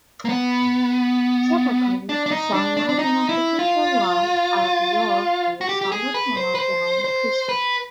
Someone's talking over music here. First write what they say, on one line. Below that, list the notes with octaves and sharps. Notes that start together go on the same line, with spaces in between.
Typically, sunlight and artificial light are absorbed by a solar panel behind the crystal.
A#3
B3
D4
D4
D#4
D4
D4
D4
D#4
E4
F4
F#4
G4
G4
G#4
B4
C5
B4
C5
C5
B4